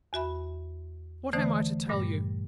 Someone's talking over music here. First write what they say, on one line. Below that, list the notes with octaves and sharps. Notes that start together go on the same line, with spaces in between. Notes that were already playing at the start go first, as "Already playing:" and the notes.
What am I to tell you?
E2 F#4 E5 B5
D3 E3 A3 C5 D5 D#6
G2 A#2 G3